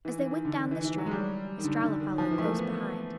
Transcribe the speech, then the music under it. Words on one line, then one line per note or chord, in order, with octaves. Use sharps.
As they went down the street Estralla followed close behind.
E3
E3
D#3
D3
D#3
E3
E3
F#3
G#3
G3
D#3
D3
D3
D#3
F3
E3
A3
A#3
B3